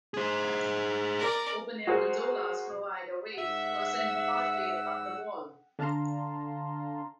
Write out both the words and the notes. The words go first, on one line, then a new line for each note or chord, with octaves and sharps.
Open Air Gondolas provide a way to ascend partway up the wall.
G#4 C5
A#4 D5
F#4 G#4 A#4 C5
G#2 E5 F#5 E6
D3 D4 F5 A5 A#5 C6